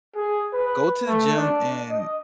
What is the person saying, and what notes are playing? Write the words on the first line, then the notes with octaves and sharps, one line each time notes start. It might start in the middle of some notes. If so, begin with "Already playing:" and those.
"Go to the gym and
G#4
B4
A3
D4
D#5